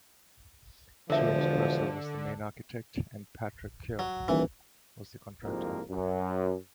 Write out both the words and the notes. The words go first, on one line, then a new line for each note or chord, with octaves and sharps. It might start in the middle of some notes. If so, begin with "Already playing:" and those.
James Purcell was the main architect and Patrick Keough was the contractor.
E1 D3 F3 A#4 E5
F#3
D#1 E3
C2 F2 G#2 F3 A#3
F#2